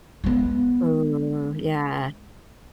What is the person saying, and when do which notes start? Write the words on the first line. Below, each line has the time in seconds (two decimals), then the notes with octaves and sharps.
Ooh, yeah.
0.24 G#3 B3